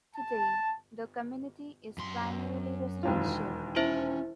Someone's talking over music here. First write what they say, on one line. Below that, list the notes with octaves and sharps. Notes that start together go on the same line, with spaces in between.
Today, the community is primarily residential.
A5
F#2 C6
E1 D#2 F4
C#4 E4 C5 E5